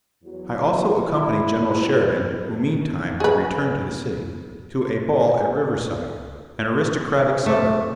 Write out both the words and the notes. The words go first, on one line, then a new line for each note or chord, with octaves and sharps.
I also accompanied General Sheridan--who meantime had returned to the city--to a ball at Riverside--an aristocratic suburb.
E2 F#3
E4
B2 D4
G#4 B4
A3